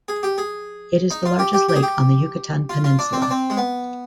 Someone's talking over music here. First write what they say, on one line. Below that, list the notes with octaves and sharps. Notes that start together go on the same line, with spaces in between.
It is the largest lake on the Yucatan Peninsula.
G#4
G4
G#4
D#4
F4
G4
G4
G4
G#4
G4
F4
F4
D4
C4
D4
C4
G#3
B3